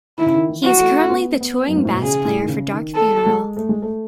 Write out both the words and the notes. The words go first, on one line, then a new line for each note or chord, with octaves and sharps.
He is currently the touring bass player for Dark Funeral.
D#3 E4
C#3
D#3
E3
F#4
A3
C#4
B3
B3
F#2
G#2
A2
B2
C#3 G#4
A2
D#3
C#3
D#3
A4
G#3
A3
G#3
A3